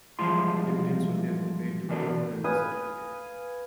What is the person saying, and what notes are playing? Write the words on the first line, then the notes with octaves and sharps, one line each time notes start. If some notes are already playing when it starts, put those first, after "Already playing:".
Dividends were therefore paid to whoever held the certificate.
E3 F3 G3 G#3 F4 C6
E3 A4 A#4 D5
B4 F5 G#5 D#6